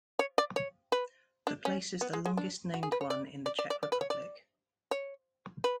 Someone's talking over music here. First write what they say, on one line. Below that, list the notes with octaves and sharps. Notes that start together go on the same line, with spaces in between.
The place is the longest-named one in the Czech Republic.
C#5
D5
C#5
B4
D4
C#4
B3
G#3
G#3
D4
F#4
G#4
B4
C#5
D5
D5
D5
D5
D5
B4
C#5
D5
C#5
B4